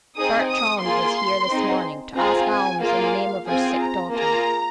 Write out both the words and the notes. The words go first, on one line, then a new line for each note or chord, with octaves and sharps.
Bertrande was here this morning to ask alms in the name of her sick daughter.
C4 D#4 G#4 D#6
D#6
A#3 F4 G#4 C6
C4 D#4 G#4
C4 F4 G#4 A#5
G#5
A#3 F4 G#4 F5
C4 F4 G#4 G#5
A#5
A#3 F4 G#4 A#5